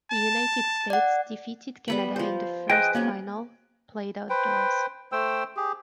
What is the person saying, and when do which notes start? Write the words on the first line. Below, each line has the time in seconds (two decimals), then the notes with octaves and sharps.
The United States defeated Canada in the first final, played outdoors.
0.11 A5
0.90 D5 F#5
1.88 G3 B3 B5
2.16 F3 C5
2.70 G#4 B4 D#5 G5
2.95 F#3 A#3 B3 C#4
4.30 B4 C5 G5
5.12 A3 C5 G5 E6
5.56 G4 G#4